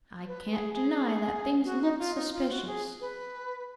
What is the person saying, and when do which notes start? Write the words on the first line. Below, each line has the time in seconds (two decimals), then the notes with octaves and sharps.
I can't deny that things look suspicious.
0.27 B4
0.50 G#4
0.73 G#4
1.64 F#4
1.82 D#4
1.99 F4
2.15 D#4
2.33 F4
2.50 F#4
2.67 G#4
3.01 B4